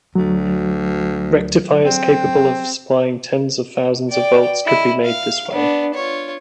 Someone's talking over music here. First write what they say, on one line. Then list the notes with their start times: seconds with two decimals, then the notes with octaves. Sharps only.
Rectifiers capable of supplying tens of thousands of volts could be made this way.
0.15 D2 F#3
1.84 C4
4.10 D5 G5
4.64 E4 D#5
5.05 F5
5.53 B3 D4
5.94 F4 C#5